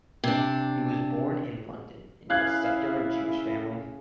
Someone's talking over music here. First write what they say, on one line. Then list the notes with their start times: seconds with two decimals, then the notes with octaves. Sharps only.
He was born in London into a secular Jewish family.
0.24 C3 D4
2.30 C#3 E4 F5 F#6 G#6